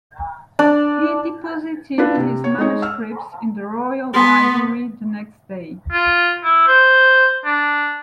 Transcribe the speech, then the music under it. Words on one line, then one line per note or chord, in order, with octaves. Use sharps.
He deposited his manuscripts in the Royal Library the next day.
D4
D4 E4 F4 B4
C3
C#5
G#3 D#4 C#5
E6 F6
B3 C6
F4
E4
C5
D4